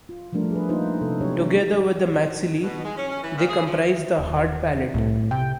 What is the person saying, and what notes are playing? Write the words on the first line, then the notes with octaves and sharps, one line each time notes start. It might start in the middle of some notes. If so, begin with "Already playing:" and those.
Together with the maxillae they comprise the hard palate.
F4
F3 G3 A3 D4 A#4
G#4 B4
A#3 D4 D#4 F4 B4 C5
C3 A4
F#3 C#4 D4 G4 C#5
B2
G#3
C#4
C#4
E3
A#2
G#4
F3
D#1
C2 A2
C3 G5